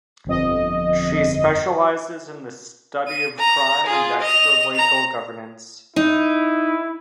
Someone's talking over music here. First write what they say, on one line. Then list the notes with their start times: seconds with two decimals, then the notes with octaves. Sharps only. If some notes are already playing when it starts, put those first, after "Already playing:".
She specializes in the study of crime and extralegal governance.
0.25 G1 F2 D#5
3.08 D#7
3.38 A#5
3.86 F4 G#4
4.20 D#5 F7
4.75 A#5 F7
5.96 D#4 E4